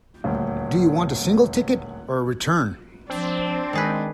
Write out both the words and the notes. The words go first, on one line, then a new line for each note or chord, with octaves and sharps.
Do you want a single ticket, or a return?
D#1 D2
F3 C4 D4
D#3 G#3 G#4 B4